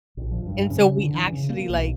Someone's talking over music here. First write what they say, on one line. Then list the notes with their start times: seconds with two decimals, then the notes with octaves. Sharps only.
And so, we actually, like
0.17 A#1
0.31 F3
0.46 G2
0.70 C#3
0.99 D3
1.13 E3
1.27 C#3
1.49 A#3
1.69 B1